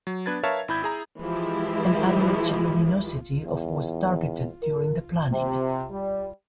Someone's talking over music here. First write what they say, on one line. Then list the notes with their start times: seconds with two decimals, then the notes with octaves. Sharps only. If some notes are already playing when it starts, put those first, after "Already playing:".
An average luminosity of was targeted during the planning.
0.07 F#3
0.26 B3 D4 B4 G#6 A6
0.43 A#4 B4 C#5 E5 F5 A5
0.68 G#1 E4 B5 G6 G#6
0.82 E4 G#4 A#5
1.20 E3 F3 G#3 E4 G4
3.46 E2
4.62 A#4
5.29 C3
5.90 G3